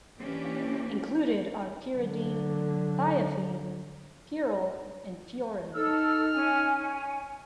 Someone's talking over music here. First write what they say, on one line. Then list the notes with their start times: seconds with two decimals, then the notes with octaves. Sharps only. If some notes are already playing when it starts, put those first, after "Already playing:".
Included are pyridine, thiophene, pyrrole, and furan.
0.20 E3 A#3 C#4 D4 G4
1.96 D3 F#3
5.75 D#4 A4 E6 F6
6.34 C#4 G#5